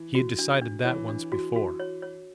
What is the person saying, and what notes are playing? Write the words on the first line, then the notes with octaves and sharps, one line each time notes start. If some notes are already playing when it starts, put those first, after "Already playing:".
He had decided that once before!
Already playing: E3
F#4
D4
D4
E3 C#5
D4
F#4
F#4
C#5
C#5